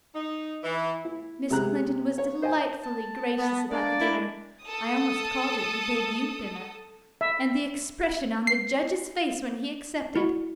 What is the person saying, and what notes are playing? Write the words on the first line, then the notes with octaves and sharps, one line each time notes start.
Miss Clinton was delightfully gracious about the dinner--I almost called it the debut dinner--and the expression on the judge's face when he accepted!
D#4
E3
E4
C3 G#3 A#5 F#6
C#5
C5 D#5 G5 G#5
A5
B3
A#3 D4 D5
E4
A4 D#6
E5
C7
E4 F#4